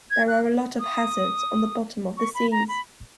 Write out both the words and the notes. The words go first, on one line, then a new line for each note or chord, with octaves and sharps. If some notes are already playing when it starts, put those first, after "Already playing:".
There are a lot of hazards on the bottom of the seas.
G#6
F#6
D#6
C#6
B5
A#5
B5